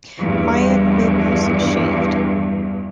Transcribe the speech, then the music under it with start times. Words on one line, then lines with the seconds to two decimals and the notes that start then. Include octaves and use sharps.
Mayan nobles shaved.
0.18 E2 G2